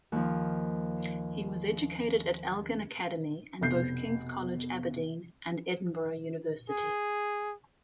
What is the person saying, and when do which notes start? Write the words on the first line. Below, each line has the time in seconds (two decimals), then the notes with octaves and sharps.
He was educated at Elgin Academy and both King's College, Aberdeen and Edinburgh University.
0.12 D#2 F3
3.61 F1 B2 G6 C7
6.70 G#4